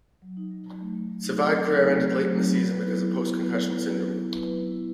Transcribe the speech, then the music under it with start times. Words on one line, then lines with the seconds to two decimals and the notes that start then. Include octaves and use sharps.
Savard career ended late in the season because of post-concussion syndrome.
0.22 F#3
0.37 D#4
0.51 F#3
0.66 F#3
0.81 A3
0.95 A3
1.09 F#3
1.24 D#4
1.39 C4
1.53 F#3
1.67 D#4
1.82 C4
1.97 A3
2.11 F#3
2.25 C4
2.40 F#3
2.55 B3
2.69 B4
2.84 E4
2.98 E4
3.12 B3
3.27 B3
3.42 B3
3.56 E4
3.71 B4
3.85 E4
4.00 E4
4.14 E4
4.30 B4
4.43 B4
4.58 E4
4.72 E4